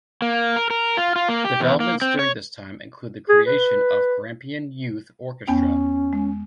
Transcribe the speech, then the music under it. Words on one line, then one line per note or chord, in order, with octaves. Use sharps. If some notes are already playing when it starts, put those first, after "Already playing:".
Developments during this time include the creation of Grampian Youth Orchestra.
A#3
A#4
A#4
F4
F4
A#3
G4
E2
A#3
C4
C#5
G#4
B4
E2 B3 C#4 G5
G#3